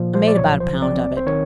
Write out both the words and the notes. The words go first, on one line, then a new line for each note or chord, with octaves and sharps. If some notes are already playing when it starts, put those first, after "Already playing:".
I made about a pound of it.
Already playing: A#2 F3
C5
D5
B1 C#5
C5
C4 D5
C5
D#3 C#5